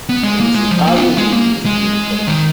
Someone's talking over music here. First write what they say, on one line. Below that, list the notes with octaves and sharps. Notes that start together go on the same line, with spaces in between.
It received positive reviews from music critics.
B3
G#3
A#3
G#3
F3
A#3
D4
B3
G#3
A#3
G#3
D#3